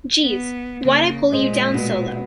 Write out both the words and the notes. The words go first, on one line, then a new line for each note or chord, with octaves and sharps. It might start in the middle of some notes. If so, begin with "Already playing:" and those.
Geez, why'd I pull you down so low?
B3
C#3 A#3
A#2 G#3 G#4 C5 D#5
B2 B3